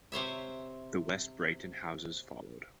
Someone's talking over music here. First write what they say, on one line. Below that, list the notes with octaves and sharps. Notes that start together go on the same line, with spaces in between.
The West Brighton Houses followed.
C3 C5 C#5 E5